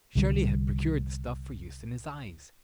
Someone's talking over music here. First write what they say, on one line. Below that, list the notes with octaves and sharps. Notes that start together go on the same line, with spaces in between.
Shirley had procured the stuff for use in his eyes.
C2 D3 F3 G3